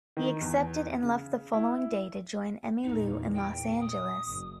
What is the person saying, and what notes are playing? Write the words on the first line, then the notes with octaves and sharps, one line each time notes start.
He accepted and left the following day to join Emmylou in Los Angeles.
D#3
E2
C#3
E4
E2 A#2 D#4
G5
D#6
F#1